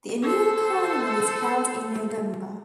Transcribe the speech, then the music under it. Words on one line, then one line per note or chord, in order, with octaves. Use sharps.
The annual Carnival is held in November.
A4 C5